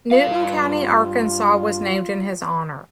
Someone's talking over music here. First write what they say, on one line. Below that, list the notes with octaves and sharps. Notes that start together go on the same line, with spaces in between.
Newton County, Arkansas was named in his honor.
G2 F4 F5